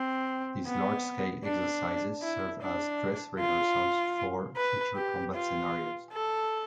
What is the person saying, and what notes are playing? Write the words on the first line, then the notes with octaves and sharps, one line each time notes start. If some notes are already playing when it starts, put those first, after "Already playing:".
These large-scale exercises serve as "dress rehearsals" for future combat scenarios.
Already playing: C4
B3
D4
E4
D4
F4
B4
G4
F4
A4